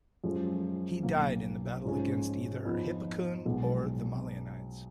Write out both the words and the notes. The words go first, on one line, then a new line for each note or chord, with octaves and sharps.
He died in the battle against either Hippocoon or the Molionides.
F#2 F3 G#3
B1 B2 A#3
G#2 F3 G#3 C#4
F2 F3 B3 D#4
B1 B2 G#3